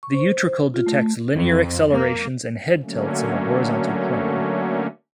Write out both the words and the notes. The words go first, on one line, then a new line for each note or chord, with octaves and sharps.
The utricle detects linear accelerations and head-tilts in the horizontal plane.
C#6
C5
F4
A3
F2
A#3
D3 F#3 A3 A#3 C#4